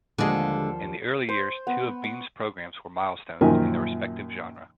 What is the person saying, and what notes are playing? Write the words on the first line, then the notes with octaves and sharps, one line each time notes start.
In the early years, two of Beam's programs were milestones in their respective genre.
D#2 D3 F3 G3 G#3
C5
B3
C#6
F#2 A#2 D#3 F3 A#4 G#5